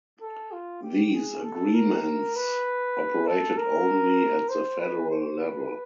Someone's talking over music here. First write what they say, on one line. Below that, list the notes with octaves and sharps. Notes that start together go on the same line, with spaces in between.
These agreements operated only at the federal level.
A4
F4
G4
G#4
A4
A#4
B4
A4
A#4
C5
B4
C5
B4